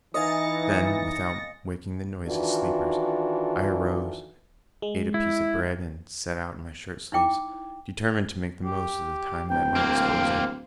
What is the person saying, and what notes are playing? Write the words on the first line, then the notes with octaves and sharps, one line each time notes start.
Then, without waking the noisy sleepers, I arose, ate a piece of bread, and set out in my shirt-sleeves, determined to make the most of the time at my disposal.
E3 D#4 D#5 F5 G#5 A6 A#6 C#7
D#3 E3 D4 F4 F#4 A4
G#3
E4
D#4 E4 G5 D6
G4
D1 G5
A#3 C4 F5